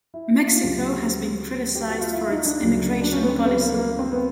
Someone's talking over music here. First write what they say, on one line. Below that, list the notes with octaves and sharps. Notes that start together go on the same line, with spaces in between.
Mexico has been criticized for its immigration policy.
E4
E4
F4
D2 C#3 F#3 G4
G4
F#4
F4
E4
D#4
D4
D2 C#3 F#3
D4
C#4
B3
C4
B3
A#3
A#3
C4
B3